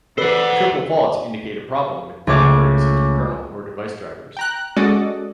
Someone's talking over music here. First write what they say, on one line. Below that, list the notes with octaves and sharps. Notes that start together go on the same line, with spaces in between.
Triple faults indicate a problem with the operating system kernel or device drivers.
E3 A4 B4 C5 D5 F#5
C#2 A3 C#5 D6
G5 A#5 F#6
G#3 C#4 F#4 A4 D5 D#5